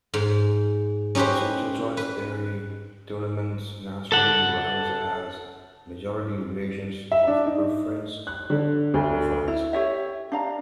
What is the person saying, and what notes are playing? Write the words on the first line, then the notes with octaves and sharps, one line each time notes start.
In social choice theory, tournaments naturally arise as majority relations of preference profiles.
G#2
C#4 D#4 G4 B4 C5
B4
A4 F#5
E5
D4
D#4
F#6
D3
D2
E4
G4 C#5 E5
D4 F5 A#5